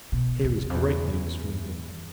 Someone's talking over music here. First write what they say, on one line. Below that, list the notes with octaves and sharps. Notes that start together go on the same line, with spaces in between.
Here is great news from England.
B2
E2
F2
E2